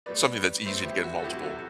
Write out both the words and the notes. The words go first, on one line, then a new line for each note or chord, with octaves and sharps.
Something that's easy to get multiple,
A2 G3 B3 B4 D5
A2 G3 B3 C5 E5
E4 G4
F#4
A4
E2 C3 F#3 E4 G4
F#4 A4